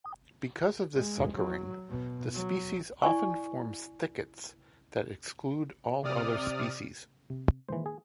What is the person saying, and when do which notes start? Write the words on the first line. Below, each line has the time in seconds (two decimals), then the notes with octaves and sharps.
Because of this suckering, the species often forms thickets that exclude all other species.
0.95 G#3
1.35 F#3
1.89 B2
2.33 F#3
3.02 E4 D5 G#5 C#6
6.03 C3 D5 D#6 F6
7.30 C3
7.69 A#2 D#3 E3 G#3 C5
7.86 G#4